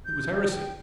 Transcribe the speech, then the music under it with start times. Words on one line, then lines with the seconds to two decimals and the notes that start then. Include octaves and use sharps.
It was heresy.
0.05 G6
0.51 G5